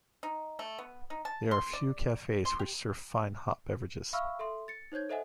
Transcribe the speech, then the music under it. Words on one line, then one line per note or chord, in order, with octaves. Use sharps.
There are a few cafes which serve fine hot beverages.
D#4
A3
B3
D#4
A5
C6
D5
C6
G4
E5 F5 B5 C#6 E6 F6
A4 E5 C6
A6 C#7
D#4 C5 C#5 G6 G#6
A4 C5 D#5 E5 F#5 G#5